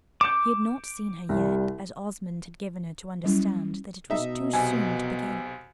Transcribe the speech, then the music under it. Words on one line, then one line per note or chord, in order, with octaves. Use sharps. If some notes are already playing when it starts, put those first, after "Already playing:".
She had not seen her yet, as Osmond had given her to understand that it was too soon to begin.
D6 G6 C#7 E7
C2 G3
F#3 G3 C#4 E4
B2 D#4 E5
B1 C3 G#5